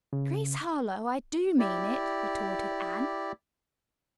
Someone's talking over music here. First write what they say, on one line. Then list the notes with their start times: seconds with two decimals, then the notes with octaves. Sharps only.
"Grace Harlowe, I do mean it," retorted Anne.
0.13 C#3
1.59 E4 G4 D5